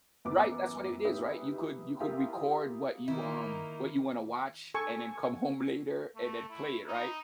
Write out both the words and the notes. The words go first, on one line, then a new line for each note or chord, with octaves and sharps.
Right, that's what it is, right? You could you could record what you, um what you wanna watch and then come home later and then play it, right?
A1 F#2 B3 D6
D#4 G4 G#4 B4 E5
E4 F4 G4 G#4 A#4 E5
D#3 A#3 D#4 E4
A4 G#5 C#6
A3
E4
D#4